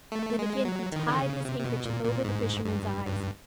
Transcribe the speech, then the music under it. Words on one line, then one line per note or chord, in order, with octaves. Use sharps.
Then again he tied his handkerchief over the fisherman's eyes.
A3
G#3
F#3
D#3
D3
C#3
C3
C3
B2
A#2
A#2
G#2
G2
G2